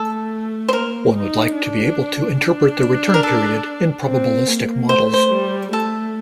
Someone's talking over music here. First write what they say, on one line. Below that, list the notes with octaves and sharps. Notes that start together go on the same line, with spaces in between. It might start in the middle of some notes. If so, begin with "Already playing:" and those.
One would like to be able to interpret the return period in probabilistic models.
Already playing: A3 A4
C5
A#3 A#4
D#4
D4
D4
A#4
A4
C4
A#3
A3 C5
C5
G3
A3 A4